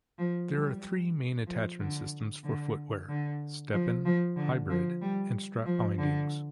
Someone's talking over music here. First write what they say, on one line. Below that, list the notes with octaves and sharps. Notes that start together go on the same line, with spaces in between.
There are three main attachment systems for footwear: step-in, hybrid, and strap bindings.
F3
G3
F3
D3
D3
D3
F3
F3
D3
F3
G3
F3
D3